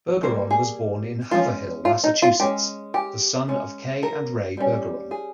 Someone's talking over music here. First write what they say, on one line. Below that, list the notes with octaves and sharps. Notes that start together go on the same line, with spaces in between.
Bergeron was born in Haverhill, Massachusetts, the son of Kay and Ray Bergeron.
G3 A#3 C#4 C5
G#4
G#3 C#4 F4
F4
D#4
F4
G#3 C#4 G4
G4
G#3 C#4
A#4
G3 C#4
G#4